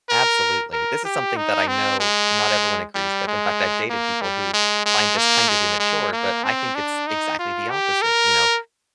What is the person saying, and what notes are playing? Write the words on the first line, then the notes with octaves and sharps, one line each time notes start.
Absolutely. This is something that I know not everyone agrees with. In fact, I've dated people who find this kind of immature, but I think it's exactly the opposite. You know,
A#4
A#4
G4
D#4
C4
G#3
G3
G#3
A#3
G3
G#3
G#3
A#3
G#3
G#3
A#3
C4
D4
D#4
F4
G4
A#4